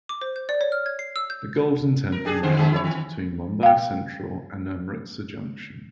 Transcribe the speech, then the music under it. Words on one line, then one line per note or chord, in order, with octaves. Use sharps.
The Golden Temple Mail runs between Mumbai Central and Amritsar Junction.
D6
C5
G6
D5
C#5
F6
G#6
C7
E6
G6
A#4
D4 G4 G#4
D3 C5
D3 G3 G#3
E4 G#4 C#5
D#3
F5 G5